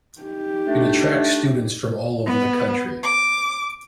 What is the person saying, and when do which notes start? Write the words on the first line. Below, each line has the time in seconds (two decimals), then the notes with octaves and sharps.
It attracts students from all over the country.
0.22 D#4 G4
0.67 A3 D4
2.27 B3
3.03 D6